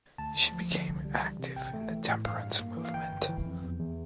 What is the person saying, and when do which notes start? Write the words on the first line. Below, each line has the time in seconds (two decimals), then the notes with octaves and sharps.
She became active in the temperance movement.
0.18 D2 A5
0.35 D2
0.52 F3
0.71 D3
0.88 C2
1.05 G3
1.22 E3
1.39 C3
1.56 A1 G5
1.74 A3
1.90 E3
2.08 A2
2.26 G2 F5
2.43 G2
2.60 A#3
2.77 E3
2.85 F5
2.94 G1 G5
3.11 G1
3.29 E3
3.46 F2
3.63 E2
3.80 E2